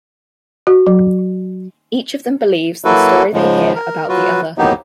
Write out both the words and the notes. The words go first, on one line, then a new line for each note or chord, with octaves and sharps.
Each of them believes the story they hear about the other.
F#4
F#3
F#3 A#3 E4 F#4 A4 B4
G#2 C#3 F3 G#3
A#4
F#3 F4 F#4 B4
A2 F#3 A#3 B3 D#4 G4